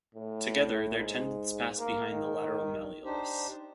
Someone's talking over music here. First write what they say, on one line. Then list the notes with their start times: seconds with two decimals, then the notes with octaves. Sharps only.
Together, their tendons pass behind the lateral malleolus.
0.15 A2
0.98 G#2
1.78 A#3
2.11 D#3
3.04 D4 D#4 G4 C5